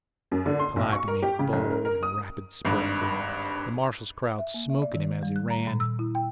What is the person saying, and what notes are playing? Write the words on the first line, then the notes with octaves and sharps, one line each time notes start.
Calliope made a bold and rapid spurt for it, the marshal's crowd "smoking" him as he ran.
F#2
D3
C6
B1
C#6
A#4
G4
C#3
F#1
A#4
A#4
D#6
G#1 G2
E5
A#3
E5
D5
D#3
G3
F#6
A#5
A#2
E6
E4
G5